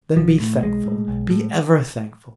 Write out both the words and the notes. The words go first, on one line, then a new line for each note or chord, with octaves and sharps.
Then be thankful--be ever thankful.
B1 F3
A2 A3
B1 G#3
A2
B1
A2